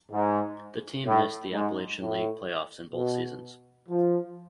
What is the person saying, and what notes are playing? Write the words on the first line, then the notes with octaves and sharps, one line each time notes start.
The team missed the Appalachian League playoffs in both seasons.
G#2
A2
G#2
A2
B2
F3